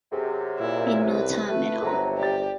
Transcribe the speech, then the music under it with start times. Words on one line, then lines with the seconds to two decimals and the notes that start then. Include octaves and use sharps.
In no time at all.
0.12 F#2 C3 G#4 A4
0.60 A#2 E4
1.05 C2 B4
1.49 A3
1.82 G1 C3 F#3 A4 A#5
2.19 G4 D5 A6